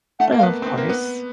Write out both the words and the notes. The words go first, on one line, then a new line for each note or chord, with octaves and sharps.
Oh, of course.
A3 F#5
A#3
F5
B3
C4
B3
A#3
B3